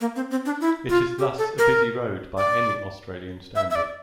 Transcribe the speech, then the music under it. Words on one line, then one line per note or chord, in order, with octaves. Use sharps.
It is thus a busy road by any Australian standard.
A#3
C4
C4
D4
E4
F4
G4
A4
A#4
D5
E5
E5
D5